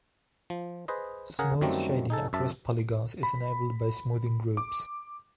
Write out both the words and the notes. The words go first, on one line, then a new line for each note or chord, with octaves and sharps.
Smooth shading across polygons is enabled by smoothing groups.
F3
G#4 B4 C5 D#5
C#3 G#4 A#4 F#5
F#2 D#3 F#3 G3 A3 C4
D#4 G#4 A4
F#2 E5 A5
B5
D6